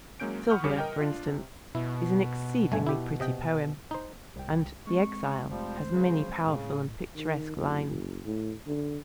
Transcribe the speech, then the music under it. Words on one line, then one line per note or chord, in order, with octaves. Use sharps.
Sylvia, for instance, is an exceedingly pretty poem, and The Exile has many powerful and picturesque lines.
F#3 G#3 A#3 C#4 G6 D7
F#5 B5 C#6 D#6 F6 G6
E2 C#3 G3 C#5 D6 C#7
A#4 D#5 G5
D4 F4
C3
B2 E4
G1 A3 G#5
E4 G4
C3 D#5 G5
D#4 C5
C2 G5
G#3 C4 C#6
F1 F3 G3 A3 C5
C#3 F3 F#3
A2 C#3
D#3
F#1
F#1
A2
D3